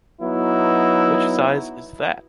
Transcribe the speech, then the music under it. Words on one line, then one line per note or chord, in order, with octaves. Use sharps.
Which size is that?
F#3 B3 D#4 E4